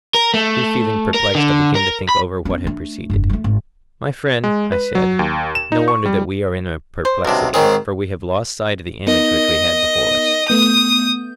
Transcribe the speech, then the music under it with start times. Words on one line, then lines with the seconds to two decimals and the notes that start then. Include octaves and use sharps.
Here feeling perplexed I began to think over what had preceded.--My friend, I said, no wonder that we are in a perplexity; for we have lost sight of the image which we had before us.
0.15 A#4
0.34 A3
1.14 A#4
1.35 D3
1.75 A#4
2.09 B5
2.45 B3 C#4
2.64 A3 D4
3.10 F1 G2
3.30 G3 A3
3.44 G#1
4.44 G#3
4.72 B4
4.95 F#3
5.19 D#2
5.55 E7
5.72 D#4
5.88 C#6
6.05 G3
7.05 C5
7.25 B1 C3 D4 A#4
7.54 G#2 D#3 C4 G#4 C#5
9.07 B3 D#4 A#4 D#5
10.48 A3 B3 D#6 G6